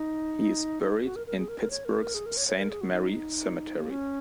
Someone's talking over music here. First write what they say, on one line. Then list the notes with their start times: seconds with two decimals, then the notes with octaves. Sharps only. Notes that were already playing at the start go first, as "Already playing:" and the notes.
He is buried in Pittsburgh's Saint Mary Cemetery.
Already playing: D#4
0.83 D#4
1.04 F#4
1.16 A#4
1.27 A#4
1.38 G#4
1.49 A#4
1.60 A#4
1.71 C#5
1.85 A#4
2.01 A#4
2.14 G#4
2.26 A#4
2.37 C#5
2.48 C#5
2.59 A#4
2.70 G#4
2.81 F#4
2.92 D#4
3.79 A#3
3.90 C#4